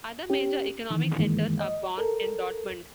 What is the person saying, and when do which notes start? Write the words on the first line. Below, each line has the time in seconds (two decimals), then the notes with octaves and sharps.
Other major economic centers are Bonn and Dortmund.
0.30 C#4 G4
0.91 D#3 E3
1.18 G2 D#3 E3 G#3 A#3
1.60 D#5
1.98 A4 A#4